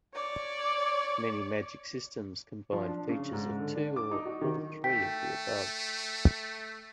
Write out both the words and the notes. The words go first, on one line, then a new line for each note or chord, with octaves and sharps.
Many magic systems combine features of two or all three of the above.
C#5 D5
F3
D4
C#3
G#2
D3
D4
D6
D#4
F#4
D#3
A3 G5 B6